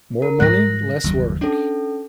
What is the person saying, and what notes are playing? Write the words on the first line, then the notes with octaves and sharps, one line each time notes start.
More money less work.
A#4
G#2 G3 G#3 F#6 A#6
F#1 D#2 G3
C#4 D4 A4